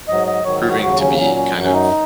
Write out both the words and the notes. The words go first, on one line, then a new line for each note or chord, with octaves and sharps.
proving to be kind of
G#2 F#3 D#5
D#5
G#2 D#3 F#3 C#5
F#4
D#2 C#3 F#3 F#4
C#4
A#3
A#2 F#3 C#4
C#4
F#2 F#3
C#4
D#4